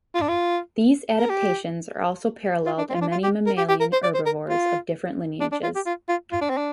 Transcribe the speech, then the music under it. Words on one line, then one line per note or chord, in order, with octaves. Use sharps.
These adaptations are also paralleled in many living mammalian herbivores of different lineages.
F4
D4
F4
A#4
G4
F4
D4
C4
F4
D4
F4
G4
A#4
G4
G4
A#4
C5
D5
C5
A#4
F4
D4
D4
F4
G4
F4
F4
F4
D4
C4
D4